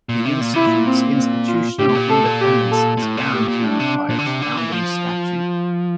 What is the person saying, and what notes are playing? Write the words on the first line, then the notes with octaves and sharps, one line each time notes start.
The Institute's institutional independence is guaranteed by its founding statute.
A#2
C3
A#2
C3 E4
A#2
C4
C4
F4
A2 G4
A2
A#2
A2 A4
A#2
G4
A4
A#2
A2
A#2
A2 G4
A#2
A2 D4
C3
A#2
D3
C3
D3
E3
F3